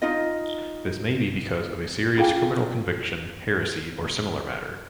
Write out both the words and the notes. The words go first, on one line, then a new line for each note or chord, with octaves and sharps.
This may be because of a serious criminal conviction, heresy, or similar matter.
D#4 F4 D#5
C#4 F4 G#4 F5 G5 G#5